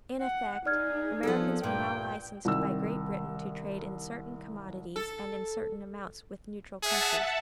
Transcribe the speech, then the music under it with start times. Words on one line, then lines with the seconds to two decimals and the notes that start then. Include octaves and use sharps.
In effect, Americans were now licensed by Great Britain to trade in certain commodities and in certain amounts with neutral countries.
0.21 F#5
0.66 D#4 G#4 D5 F6 G#6
1.23 F3 B3 A4
1.63 G2 A#2 A#3 G5
2.45 C2 D#3 E6
4.96 A4
6.83 G#4 E5 F#5 A5